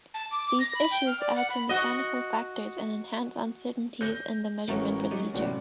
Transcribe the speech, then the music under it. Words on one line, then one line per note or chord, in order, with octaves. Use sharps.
These issues add to mechanical factors and enhance uncertainties in the measurement procedure.
A5
D6
D6
A#6
B5
G5
F6
D5
F#5
B5
F#4 D#5
D2 C#4 G6 A#6
A1 F2 G#3 A3 F#4 A4 A#4 C#5
F#3 D#4 G4
A1 F#2 A2 C3 F4 F#4 D5